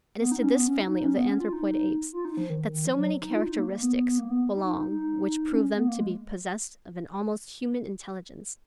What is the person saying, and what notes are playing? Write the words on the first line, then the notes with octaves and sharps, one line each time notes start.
It is to this family of the anthropoid apes that so many characteristics belong which prove them to be possessed of an almost human intelligence.
B3
D#4
C#4
B3
C#4
D#4
D#4
C#4
B3
C#4
F4
D#4
D#4
F4
D#4
F3
D#3
D#3
F3
F#3
D#4
F4
D#4
A#3
A#3
B3
B3
B3
A#3
B3
D#4
D#4
D#4
D#4
C#4
B3
A#3
G#3